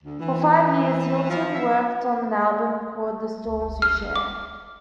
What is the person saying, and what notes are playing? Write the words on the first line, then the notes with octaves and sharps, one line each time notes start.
For five years, Hilton worked on an album called "The Storms We Share".
D2
E3
F3
E5
F6
D6